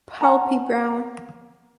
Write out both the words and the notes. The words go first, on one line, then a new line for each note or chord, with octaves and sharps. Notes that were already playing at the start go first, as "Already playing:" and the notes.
Palpi brown.
F#5 A5 A#5